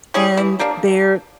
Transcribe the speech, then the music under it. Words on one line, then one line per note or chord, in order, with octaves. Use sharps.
and they're
C#4 E4 G#4
E3
G3 A#3 D4